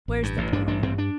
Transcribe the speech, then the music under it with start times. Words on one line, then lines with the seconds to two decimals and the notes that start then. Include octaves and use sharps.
Where's the Pearl?
0.08 A1
0.23 G2
0.38 A1
0.53 G2 D4
0.68 A1 D4
0.83 G2 C4
0.98 D4